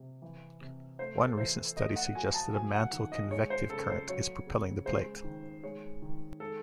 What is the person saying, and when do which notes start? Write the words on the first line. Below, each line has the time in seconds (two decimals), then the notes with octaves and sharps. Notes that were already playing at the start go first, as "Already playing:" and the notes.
One recent study suggests that a mantle convective current is propelling the plate.
Already playing: C3
0.22 E3
0.61 C3
0.99 A3 C5
1.18 A4
1.38 E3 C5
1.77 A3 D#5
1.96 F#5
2.15 F#3 G#5
2.34 A5
2.54 F#3 G#5
2.73 F#5
2.92 D#3
3.12 D#5
3.31 G#3 C#5
3.50 C5
3.70 C#3 A4
3.89 C5
4.09 F#3 C#5
4.47 C#3
4.86 G#3 C5
5.24 D#3
5.63 G#3 C#5
6.02 D#3
6.40 G#3 A4